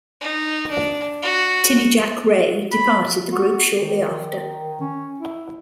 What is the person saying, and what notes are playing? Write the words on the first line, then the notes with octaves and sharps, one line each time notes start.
Timmy Jack Ray departed the group shortly after.
D#4
D4
F#4
B5
F#4
D#3
C#4
E4